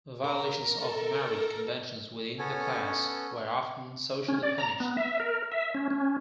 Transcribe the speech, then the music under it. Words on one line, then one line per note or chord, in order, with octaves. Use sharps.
Violations of marriage conventions within the class were often socially punished.
A#4
A4
B3 C#4 A4 C#5
C#4
D5
A#5
B3
E5
A#4
E5
C#4
C#4